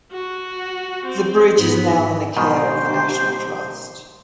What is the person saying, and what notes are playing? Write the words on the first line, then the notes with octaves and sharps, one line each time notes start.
The bridge is now in the care of the National Trust.
F#4
C4
G#2 B3
G#2 B2 D#3 G4 C5